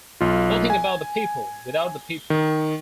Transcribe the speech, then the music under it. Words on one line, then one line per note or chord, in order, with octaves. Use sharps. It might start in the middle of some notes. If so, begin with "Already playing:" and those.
Nothing about the people without the people.
B1 F4
G#5
D#3